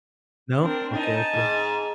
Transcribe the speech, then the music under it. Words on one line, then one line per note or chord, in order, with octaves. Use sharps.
No? Okay, okay.
C4 D4 A#4
D#4 G#5 A5
G#2